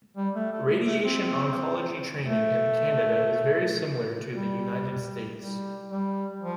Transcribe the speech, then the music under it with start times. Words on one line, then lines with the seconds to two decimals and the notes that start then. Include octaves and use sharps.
Radiation Oncology training in Canada is very similar to the United States.
0.17 G3
0.35 A3
0.52 A3
0.86 A3
1.04 C4
1.21 C4
2.25 A3
4.33 G3
5.37 G3
5.89 G3
6.42 F3